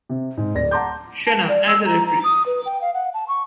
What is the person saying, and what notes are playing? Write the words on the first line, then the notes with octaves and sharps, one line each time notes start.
Shena as a referee.
C3
G#2
D1 D5 A#6
F#5 A5 A#5 C6 D6 G6
A5
D5
E6
A#5
A#5
D#6
B4
G5
F5
F#5
A5
C#6